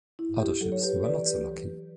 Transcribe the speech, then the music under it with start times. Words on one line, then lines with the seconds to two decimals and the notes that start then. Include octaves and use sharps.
Other ships were not so lucky.
0.19 E4
0.40 G4
0.61 F#3 A4
0.72 C#5
0.82 G4 B4
1.04 E3 B4 D5
1.26 G4 B4